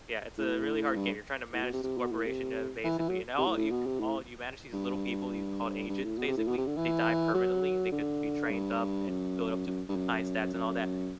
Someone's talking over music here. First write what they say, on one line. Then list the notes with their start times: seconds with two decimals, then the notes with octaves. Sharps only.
yeah, it's a really hard game, you're trying to manage this corporation, uh, basically, and all you c all you manage these little people you call agents, basically, they die permanently, they could be trained up and build up to c high stats and all that.
0.38 A2
0.96 G2
1.54 A2
1.64 B2
1.73 C3
1.83 C3
1.98 B2
2.12 A2
2.27 C3
2.84 E3
2.99 E3
3.09 F#3
3.38 C3
3.47 A2
3.57 A2
3.71 B2
3.87 C3
4.00 A2
4.73 G2
5.89 G2
6.04 A2
6.18 B2
6.28 C3
6.38 A2
6.48 B2
6.58 C3
6.67 D3
6.77 E3
7.34 F#3
7.92 D3
8.51 G2
9.09 F#2
9.67 F#2
9.89 G2
9.96 F#2
10.54 F#2